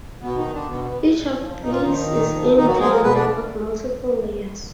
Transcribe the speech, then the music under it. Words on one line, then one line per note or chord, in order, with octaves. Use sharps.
Each of these is in turn made of multiple layers.
B2 B3
D#3 D#4
D3 D4
B2 B3
B3
A#2
F3
A#2 D#4
F4
D#3 F3 D#4
A#2
F3
A#2 D#3 D#4
F#3 F#4
F3 G#3 G#4
A#3 A#4
B2 B3 B4
D4 D5